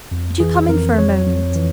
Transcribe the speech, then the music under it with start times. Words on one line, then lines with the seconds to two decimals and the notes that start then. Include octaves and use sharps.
Would you come in for a moment?
0.11 F2
0.40 E3 G#4
0.69 F2 A#4
0.98 F2 C#5
1.26 F2
1.55 E3